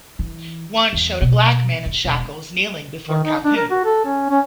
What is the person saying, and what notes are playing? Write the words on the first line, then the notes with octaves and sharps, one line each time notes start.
One showed a black man in shackles kneeling before Calhoun.
E3
E2
B2
E2
E1
D#3
D#4
D4
A#4
F#4
A4
C#4
C#4